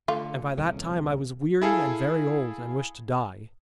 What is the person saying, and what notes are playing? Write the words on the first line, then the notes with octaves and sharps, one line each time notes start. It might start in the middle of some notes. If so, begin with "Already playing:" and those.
And by that time I was wearied and very old, and wished to die.
D3 A3 F4
D#1 C2 C#3
E4 G#4 A4 F5